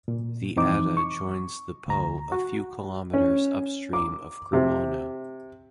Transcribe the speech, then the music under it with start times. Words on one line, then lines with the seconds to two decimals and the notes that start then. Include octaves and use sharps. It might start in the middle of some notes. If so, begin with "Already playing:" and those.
The Adda joins the Po a few kilometres upstream of Cremona.
0.08 A#2
0.56 F2 E3 C4 D#4 D6
0.97 C#6
1.88 D2 A#5
2.32 F#4
3.14 C#4
3.93 D6
4.53 C3